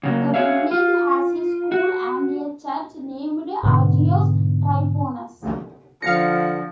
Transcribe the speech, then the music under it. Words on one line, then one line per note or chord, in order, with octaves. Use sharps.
The village has a school and a church named Agios Tryphonas.
C#3 F#3 A#3
F#4 G#4 C#5 E5 F5
F4
F#4
G#2 B2 D3
D3 F3 F5 A#6 B6 C#7